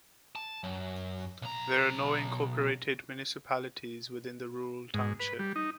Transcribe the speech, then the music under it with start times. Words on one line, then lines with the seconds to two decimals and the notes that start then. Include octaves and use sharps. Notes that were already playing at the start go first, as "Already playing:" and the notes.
There are no incorporated municipalities within the rural township.
0.36 A5
0.64 F#2
1.42 B1 A#5
4.94 G#2
5.20 B4
5.39 G3
5.56 D#4